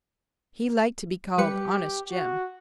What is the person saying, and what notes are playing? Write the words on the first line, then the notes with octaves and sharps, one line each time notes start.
He liked to be called Honest Jim.
G3 G4 B4 C#7
F#4